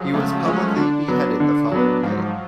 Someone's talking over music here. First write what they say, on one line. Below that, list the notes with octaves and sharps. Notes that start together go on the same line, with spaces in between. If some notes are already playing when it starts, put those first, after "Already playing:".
He was publicly beheaded the following day.
Already playing: F3 F#3 G#3
C#3 A3
F3 G#3 C#4
D3 D4
F#3 B3
D3
F#3 B3
G#2 F3
F#3
F3